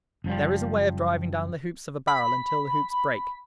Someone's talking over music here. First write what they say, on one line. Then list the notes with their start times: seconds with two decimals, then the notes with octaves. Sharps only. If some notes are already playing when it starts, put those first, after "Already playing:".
There is a way of driving down the hoops of a barrel until the hoops break.
0.24 F#1 F3 G3
2.08 B5